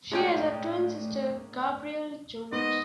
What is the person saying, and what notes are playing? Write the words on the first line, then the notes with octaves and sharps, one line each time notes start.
She has a twin sister, Gabrielle Jones.
A2 G#3 A#3 C#4 D4 G5
G#2 B3 D#5